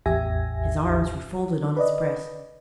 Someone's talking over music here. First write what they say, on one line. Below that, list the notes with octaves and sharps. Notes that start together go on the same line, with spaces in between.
His arms were folded on his breast.
A1 E2 G4 E5 G#5 A#6
B4 D5 D#5